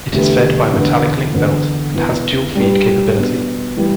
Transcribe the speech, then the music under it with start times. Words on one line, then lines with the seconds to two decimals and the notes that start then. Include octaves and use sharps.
It is fed by a metallic link belt and has dual-feed capability.
0.13 E2 D3 A3 G4 B4
0.73 E2 D3 B3 D4 B4
1.33 E2 D3 B3
1.94 E2 E3 B3
2.55 G3 D4 G4 B4
3.16 B2 B3 D4
3.77 E3 G3 E4 B4